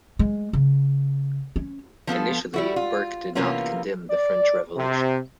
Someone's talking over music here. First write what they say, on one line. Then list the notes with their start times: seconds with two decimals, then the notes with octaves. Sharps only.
Initially, Burke did not condemn the French Revolution.
0.19 G#3
0.53 C#3
1.56 C#4
2.07 F3 B3 F4 A4
2.54 G3 E4 F#4
2.76 F4
3.35 C3 E3 A#3 B3 C#4 F4
4.10 D5
4.76 C3